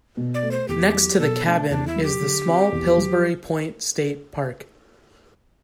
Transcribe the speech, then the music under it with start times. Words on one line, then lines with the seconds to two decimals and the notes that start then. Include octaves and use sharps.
Next to the cabin is the small Pillsbury Point State Park.
0.17 B2
0.34 D5
0.43 A3
0.51 C5
0.68 E2 G4
0.94 F#3
1.19 B2 A4
1.44 A3 D4
1.70 E2 D4
1.87 E4
1.96 F#3
2.04 G4
2.21 D3
2.46 C4
2.72 E2
2.98 F#3